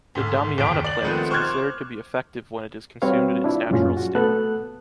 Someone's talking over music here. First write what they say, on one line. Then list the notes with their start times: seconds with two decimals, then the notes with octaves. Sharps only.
The damiana plant is considered to be effective when it is consumed in its natural state.
0.15 D2 G#2
0.58 F#1 D#2 D7
0.84 D5 F#7
1.02 D#3 F3 G#3 A3 B3 C4
1.31 C5 C#6 D6 F6 F#6 G#6
3.02 G3 C4 F#4 B4 C#5 F5
3.44 D4 E4 F4
3.71 F#2 A#2 G#3 C#4 F4
3.97 F#4
4.15 A3 B3 A4 F#6